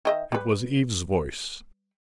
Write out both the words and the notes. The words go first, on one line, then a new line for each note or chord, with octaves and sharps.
It was Eve's voice.
D#3 D#5 E5
G3 B4